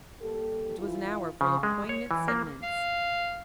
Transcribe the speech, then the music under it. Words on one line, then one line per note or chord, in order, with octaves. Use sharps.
It was an hour full of poignant sentiments.
G3 A#3 G4 A4
E3 E4 F4
C#3
G#3
C#5
E3
A#3
F5